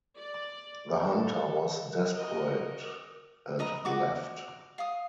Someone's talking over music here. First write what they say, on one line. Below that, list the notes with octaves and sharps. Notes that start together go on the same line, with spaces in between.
The hunter was desperate and left.
D5
A4
F#4 A#4 D#5
B4 D#5 A#5
F#4 D6
F5 D#6